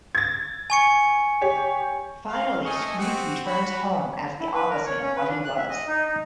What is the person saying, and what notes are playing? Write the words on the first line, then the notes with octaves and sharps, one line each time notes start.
Finally Scrooge returns home as the opposite of what he was.
G#6 A6
G#5 C#6 C#7
G4 C#5
F5
A3 D#5 G#5 C#6
C4 F#4 G4
F#4 B5
E4
B4
A#4
C#5
C#4
B4
D4
F#6
E5
D#5
D#4
D#4